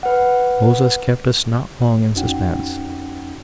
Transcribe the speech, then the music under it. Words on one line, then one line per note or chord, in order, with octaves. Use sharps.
Moses kept us not long in suspense.
B4 F#5
F2 C#4 D#4 F#4 F#5 G5